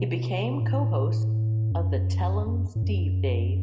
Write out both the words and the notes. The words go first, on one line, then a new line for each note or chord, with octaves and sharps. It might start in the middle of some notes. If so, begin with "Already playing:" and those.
He became co-host of the Tell 'Em Steve-Dave!
Already playing: B2
A2
F#2
F#2
A2
F#2